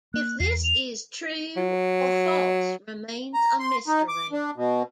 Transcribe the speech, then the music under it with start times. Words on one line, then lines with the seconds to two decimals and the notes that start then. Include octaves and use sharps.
If this is true or false remains a mystery.
0.14 A#3 F#6
0.40 E2 C7
0.64 F7
1.57 F#3
3.34 A#5
3.60 C6
3.87 D#4
4.08 D6
4.32 D4
4.56 B2